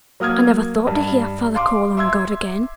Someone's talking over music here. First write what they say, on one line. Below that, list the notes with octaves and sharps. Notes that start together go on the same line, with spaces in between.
'I never thought to hear father call on God again.
F#3 A#3 D#6 F6 G#6
G2
F5 C6 D6
E5 C6 E6 G#6